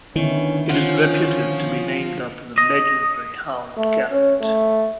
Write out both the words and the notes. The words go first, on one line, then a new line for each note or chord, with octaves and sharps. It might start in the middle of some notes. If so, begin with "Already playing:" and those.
It is reputed to be named after the legendary hound Gelert.
D3 D#3 B3 C#4 E4
D3 F3 C#4 F4 F#5
D#5
A3
C#4
A3